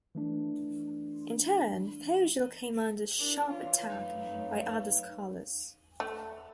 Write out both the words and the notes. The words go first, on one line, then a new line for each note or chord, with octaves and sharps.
In turn Fogel came under sharp attack by other scholars.
E3 A3 D4
E3 D4 G#4 A#4
E3 F4 B4 C#5 F5
F#2 A3 D#4
A3